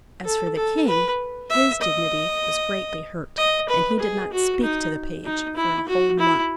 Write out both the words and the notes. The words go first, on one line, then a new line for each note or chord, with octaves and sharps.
As for the king, his dignity was greatly hurt, and he did not speak to the page for a whole month.
A4
A4
B4
E5
D#5
D#5
B4
G#4
F#4
D#4
D#4
E4
F#4
E4